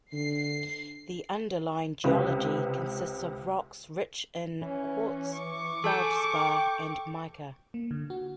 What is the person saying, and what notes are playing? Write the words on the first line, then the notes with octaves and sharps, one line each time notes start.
The underlying geology consists of rocks rich in quartz, feldspar, and mica.
D3 C7
C#2 C3 B4
E3 C#4
C#6 D6
G#4 A4 A5 G6
G5
A#3
D3
F#4